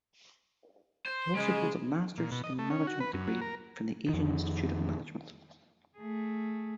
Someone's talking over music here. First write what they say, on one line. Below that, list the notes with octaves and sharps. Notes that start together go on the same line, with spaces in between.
He also holds a Masters in Management degree from the Asian Institute of Management.
C5
C#3 G#3
A#2
B2
D#5
A3
C#4
F#4
B4
F#2
F#3
A#4
F2 D#3
A3 G#4